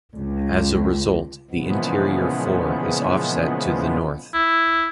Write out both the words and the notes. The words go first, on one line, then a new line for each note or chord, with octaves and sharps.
As a result, the interior floor is offset to the north.
C#2
A#2 C#3 E3 F3 G#3 B3
E4